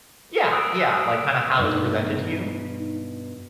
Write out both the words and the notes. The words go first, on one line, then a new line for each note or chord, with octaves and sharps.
Yeah, yeah, like, kinda how it's presented to you.
D#6 E6 F#6 D7
G2 B2 D#4